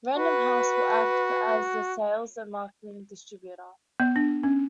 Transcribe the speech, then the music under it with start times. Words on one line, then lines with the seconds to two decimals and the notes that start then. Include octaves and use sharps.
Random House will act as the sales and marketing distributor.
0.18 F#4 B4
4.00 B3
4.16 D4
4.43 C#4